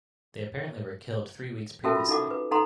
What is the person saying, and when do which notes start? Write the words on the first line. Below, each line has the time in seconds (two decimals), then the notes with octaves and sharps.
They apparently were killed three weeks previously.
1.84 C#4 F#4 A4 A#4 E5 A5
1.96 F4
2.08 D#4 E4 A4 F#5 D6
2.31 B4
2.51 D#4 A4 F#5 A#5 C6